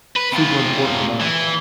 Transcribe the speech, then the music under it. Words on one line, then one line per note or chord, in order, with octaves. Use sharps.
super important to not
B4
C3 F4
E3